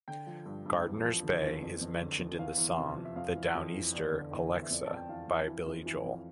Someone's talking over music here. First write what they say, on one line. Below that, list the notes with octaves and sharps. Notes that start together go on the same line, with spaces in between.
Gardiners Bay is mentioned in the song "The Downeaster 'Alexa'" by Billy Joel.
D3 G5
F3
G2
G2
E2
F3
D3
E2
F2
F2
D3
F2
E2 F5
E2
C3
F3
E5
F2 F5
E3
F2
E3
E2 D5
D3
E2
E2
E5
F2 D5
F2 A5
G5
E3 F5
F2
E3
F2
E3
F2